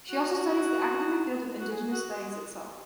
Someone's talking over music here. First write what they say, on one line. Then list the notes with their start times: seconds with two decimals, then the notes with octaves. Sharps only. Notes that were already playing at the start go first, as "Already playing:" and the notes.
She also studies the academic field of indigenous studies itself.
0.10 F#4
1.60 F#4
1.71 G#4
1.92 F#4
2.11 G#3